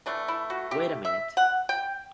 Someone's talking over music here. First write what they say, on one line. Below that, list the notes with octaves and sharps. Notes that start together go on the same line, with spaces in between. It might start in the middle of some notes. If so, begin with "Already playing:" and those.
Wait a minute.
E3 A3 D4
E4
F#4
G4
E5
F#5
G5